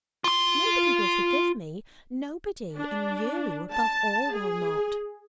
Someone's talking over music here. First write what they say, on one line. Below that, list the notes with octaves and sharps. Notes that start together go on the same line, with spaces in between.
Nobody will forgive me, nobody! and you above all will not! . . .
F4 C6
D4
A5
G#4